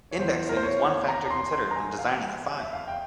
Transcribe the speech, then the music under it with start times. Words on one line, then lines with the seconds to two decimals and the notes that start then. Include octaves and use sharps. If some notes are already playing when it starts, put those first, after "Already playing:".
Indexing is one factor considered when designing a file.
0.11 C#5
0.18 E2 E3 C5
0.49 A#4
0.57 C5
0.63 C#5
1.08 A#5
1.25 A#5
1.31 C6
1.53 C6
1.71 A#5
1.76 G#5
1.99 F5
2.60 E5
2.73 F5
2.88 G5